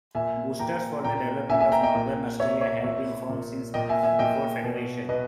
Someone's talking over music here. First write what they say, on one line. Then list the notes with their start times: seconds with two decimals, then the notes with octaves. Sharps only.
Boosters for the development of Northern Australia have been found since before Federation.
0.15 A#2 E5 G#5
0.59 A#2 G5 A#5
1.04 A#2 G5 A#5
1.49 A#2 E5 G#5
1.61 E5 G#5
1.72 G5 A#5
1.83 D#5 G5
1.95 A#2
2.39 A#2 C#5 E5
2.61 C#5 E5
2.84 A#2 C#5 E5
3.29 A#2
3.74 A#2 D#5 G5
3.89 E5 G#5
4.03 E5 G#5
4.19 A#2 D#5 G5
4.64 B2
5.09 B2 B4 D#5